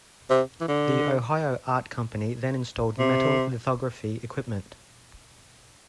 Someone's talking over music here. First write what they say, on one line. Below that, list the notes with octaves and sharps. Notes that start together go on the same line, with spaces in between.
The Ohio Art Company then installed metal lithography equipment.
C3
E3
D3
C3